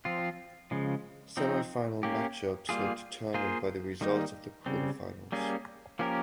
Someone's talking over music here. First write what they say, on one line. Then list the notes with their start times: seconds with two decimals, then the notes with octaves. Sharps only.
Semifinal matchups were determined by the results of the quarterfinals.
0.05 F3 C4 F4
0.71 C#3 F3 G#3
1.37 F3 C4 D#4
2.03 A#3 C#4 G4
2.69 G3 A#3 F4 G#4
3.34 A#3 F4 G#4 C5
4.01 D#3 G3 A#3 D#4
4.66 C#3 G3 C4
5.32 G3 A#3 C#4 G#4
5.99 F3 A#3 C#4 G4 A#4